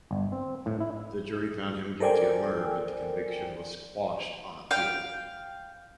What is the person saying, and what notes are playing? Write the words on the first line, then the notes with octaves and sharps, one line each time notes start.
The jury found him guilty of murder, but the conviction was quashed on appeal.
G1
C4
A2
E4
A4 A#4 C5 D5 G5 G#5
F5 G5